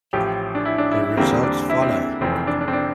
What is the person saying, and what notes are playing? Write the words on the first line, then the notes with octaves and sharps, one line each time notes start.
The results follow.
A1 A2 F3 G4
D4
E4
D4
E4
E4
E2 D3 G3 A#3 C4
D4
E4
C4
C4
F1 F2 E3 C4
C4
D4
D4
C4
D4